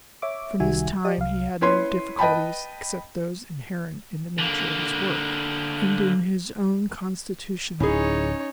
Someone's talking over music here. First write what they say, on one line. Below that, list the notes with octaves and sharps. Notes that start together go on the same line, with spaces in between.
From this time he had no difficulties except those inherent in the nature of his work, and in his own constitution.
C#5 E5 D6
C2 D#3 G3 F#4 E5 G#5
G4 D5 D#5 D#6
C2 F5
C#4 E4 B4 C#5 C6
B4 D#5 G5 A5 B5
D3 A#3
D1 C#4 D#4 E4 G#4 C#5